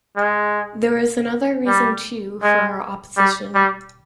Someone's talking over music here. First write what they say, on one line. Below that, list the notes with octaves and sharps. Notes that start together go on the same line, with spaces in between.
There was another reason too for her opposition.
G#3
G3
G#3
G3
G3